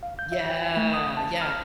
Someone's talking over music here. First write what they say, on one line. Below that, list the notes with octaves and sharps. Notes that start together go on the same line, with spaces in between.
Yeah, yeah.
F5
G6
E5
G5
A3
D#6
A5
F6